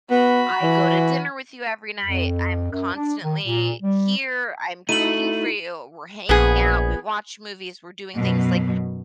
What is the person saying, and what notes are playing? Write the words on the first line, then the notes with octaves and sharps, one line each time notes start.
I go to dinner with you every night, I'm constantly here, I'm cooking for you, we're hanging out, we watch movies, we're doing things, like
B3 F#4 B5
E3
F2
F#2
D4
D#3
A#2
G3
A3 D#4 E4 F#4 D#7 F#7
A#1 B3 G#4
F#2 B2 F#3